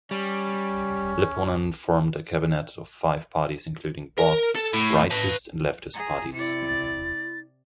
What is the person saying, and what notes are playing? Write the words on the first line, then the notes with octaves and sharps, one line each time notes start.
Lipponen formed a cabinet of five parties including both rightist and leftist parties.
G3 C#4
A#4
A4
A2
B4 A5
G#4 A#5
C3 E4 D5 C#7
A6